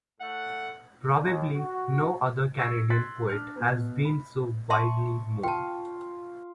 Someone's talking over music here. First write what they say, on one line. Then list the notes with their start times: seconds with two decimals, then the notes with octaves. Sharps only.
Probably no other Canadian poet has been so widely mourned.
0.20 A2 A3 F#5
1.23 D#2
1.55 F#4
2.59 C#6 E6 G#6 A#6 C7 D7
2.90 C6 F#6 G#6 A6 B6
3.29 D4 F6
3.56 B2 B3
4.05 B5
4.70 E5 A5 C6 C#6
5.43 F4 G5 A5